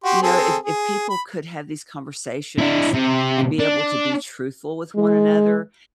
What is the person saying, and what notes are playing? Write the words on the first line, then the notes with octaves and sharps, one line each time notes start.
you know, if if people could have these conversations and be able to be truthful with one another
F#4 G4 C6
C4 G#4 A4
G#4
B5
D4 E4
C3
D4
G#3